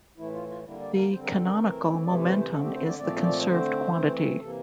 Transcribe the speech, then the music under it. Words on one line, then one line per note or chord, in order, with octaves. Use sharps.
The canonical momentum is the conserved quantity.
A2 E3 A3 E4
F4
F4
D3 G3 A#3 E4
D5
A#4
D3 G3 C4 C5
A#4
A4
A#4
E3 A3 C4
C3 E3 A3 D5
D5
C5
C5
D3 A3 C4 A4
G4
C5
D5
A#2 F3 A3 C4 D5
D5
D3 A3 C4 C5
E3 A3 C4
C3 E3 A#3 A4